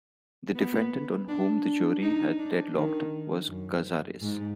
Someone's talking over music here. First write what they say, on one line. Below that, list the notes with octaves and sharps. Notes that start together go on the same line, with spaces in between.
The defendant on whom the jury had deadlocked was Cazares.
B3
D4
D4
D#4
D4
D#3
F#2
G#2